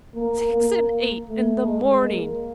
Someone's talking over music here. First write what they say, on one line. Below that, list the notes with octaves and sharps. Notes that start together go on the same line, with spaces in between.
Six and eight in the morning!
A#3
A#3
A3
G#3
A#3